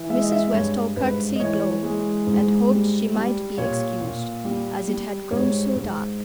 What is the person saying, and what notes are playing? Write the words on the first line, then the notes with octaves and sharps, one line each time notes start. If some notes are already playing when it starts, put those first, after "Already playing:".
Mrs. Westall curtsied low, and hoped she might be excused, as it had grown so dark.
Already playing: E3
G#3 E5
D#5
E5
G2 C#5
G#2 B4
D#5
E3 C#5
G#3
G#2
G3
G3
A#2 C#5
A#2
G3
G3
G#2 C#5
G#2